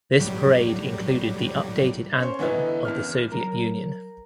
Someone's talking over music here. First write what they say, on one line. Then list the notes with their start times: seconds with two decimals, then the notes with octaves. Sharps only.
This parade included the updated anthem of the Soviet Union.
0.19 A2 F#3 G3
2.18 C#4 C5 C#5
2.39 D3 E3 B3 D#4 E4
2.85 F#1 E2 F6
3.32 F#3 A#4